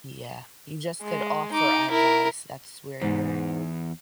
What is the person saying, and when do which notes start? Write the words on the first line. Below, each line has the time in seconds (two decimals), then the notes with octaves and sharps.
Yeah, you just could offer advice, that's where you're
1.03 G#3
1.52 D#4 D6
1.91 E4 A#4
3.02 E2 G#2